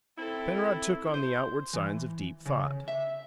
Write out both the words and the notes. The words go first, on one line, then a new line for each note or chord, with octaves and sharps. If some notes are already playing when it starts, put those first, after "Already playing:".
Penrod took on the outward signs of deep thought.
C4 E4 A4
C5
E3
C#3
E5